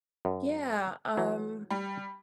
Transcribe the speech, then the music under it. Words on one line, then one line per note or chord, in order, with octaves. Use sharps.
Yeah, um,
F#2
E3 F#3
G3